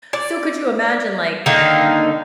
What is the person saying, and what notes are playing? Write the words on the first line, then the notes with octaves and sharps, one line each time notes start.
So could you imagine, like, uh,
D5
D3 D#3 A#3 D#4